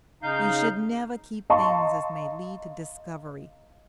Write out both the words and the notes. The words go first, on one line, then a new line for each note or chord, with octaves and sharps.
You should never keep things as may lead to discovery.
C#3 D#4 F5 G6
D#5 F5 A5 A#5 C6 C#6